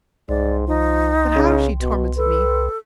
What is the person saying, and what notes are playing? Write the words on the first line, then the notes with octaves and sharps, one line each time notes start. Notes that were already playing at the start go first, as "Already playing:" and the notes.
But how she tormented me!
C2 G#2 D5
F3 D#4
C#3
B2
A4 B4